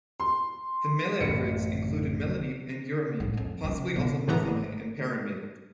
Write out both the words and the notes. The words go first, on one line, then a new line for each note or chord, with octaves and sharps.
The Meleagrids included Melanippe and Eurymede, possibly also Mothone and Perimede.
C6
A1 F#2 C#7
A2
F2
C#3
B2
G#1 A2 E3 B3 A#5